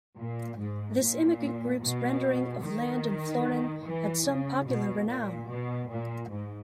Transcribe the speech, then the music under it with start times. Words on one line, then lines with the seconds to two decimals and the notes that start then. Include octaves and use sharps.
This immigrant group's rendering of land in Florin had some popular renown.
0.19 A#2
0.59 G#2
1.00 A#2
1.82 B2
2.63 D#3
3.85 E3
4.26 C#3
4.68 B2
5.08 A#2
5.49 B2
5.89 A#2
6.31 G#2